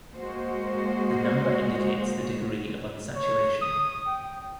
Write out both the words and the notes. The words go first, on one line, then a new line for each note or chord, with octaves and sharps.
The number indicates the degree of unsaturation.
G#3 A#3 F#4 C5
C#5
D#6
G5